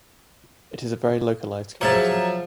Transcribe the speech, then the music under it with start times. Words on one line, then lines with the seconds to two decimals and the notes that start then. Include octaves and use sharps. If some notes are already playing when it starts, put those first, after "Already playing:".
It is a very localised community.
1.81 F3 F#3 G#4 C#5 E5 A5 A#5